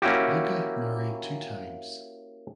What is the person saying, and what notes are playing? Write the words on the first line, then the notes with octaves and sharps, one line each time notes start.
Luka married two times.
A#3 C#4 E4 F#4 G4